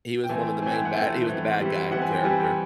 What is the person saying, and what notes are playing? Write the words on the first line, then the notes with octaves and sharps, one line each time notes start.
he was one of the main bad he was the bad guy character.
G5
E3 A3 C4 G#5
E3 A3 C4 G#5
G5
F#5
E3 A3 C4 G5
E3 A3 C4
E3 G3 C4
E3 G3 C4 F#5
G#5
G5
E3 G3 C4 G#5
G5